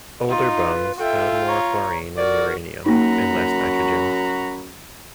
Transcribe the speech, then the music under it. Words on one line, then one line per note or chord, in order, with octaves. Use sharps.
Older bones have more fluorine and uranium and less nitrogen.
D#4 F4
B4
F4 A4 E5 G5
C#5 A#5
F#4 A#4 D5
F#2 A#3 D#4 F#4 A#5 B5